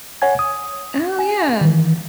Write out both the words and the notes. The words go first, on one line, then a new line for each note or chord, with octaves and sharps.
Oh, yeah.
C#5 F#5 G#5 G#6
D#6
G#5
D#3 E3